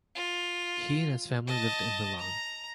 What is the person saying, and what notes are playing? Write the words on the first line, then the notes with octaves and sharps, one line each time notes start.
He and his family lived in Milan.
F4
D#5 A5
A#5